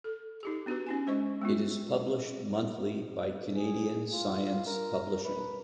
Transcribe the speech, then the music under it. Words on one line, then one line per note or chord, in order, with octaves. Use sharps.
It is published monthly by Canadian Science Publishing.
A4
D#4 G4 G#4
B3 D4 F#4 G#4 B4
C#4 D#4 G#5
G#3 C5 D#5 C#6
G#3 B3 F4
G#4
F4
A#4
B4